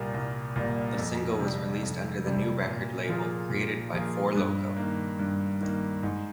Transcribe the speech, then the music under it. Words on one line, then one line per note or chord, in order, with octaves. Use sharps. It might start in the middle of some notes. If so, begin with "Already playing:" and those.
The single was released under the new record label created by Four Loko.
Already playing: C2 A#2 G3 A#3
C2
A#2 G3 A#3
F2
C3 G3
F2
C3 G3
A#2
F3 A#3 F4 G#4
A#2
F3 A#3 F4 G#4
G2
D#3 A#3
G2
D#3 A#3
G#2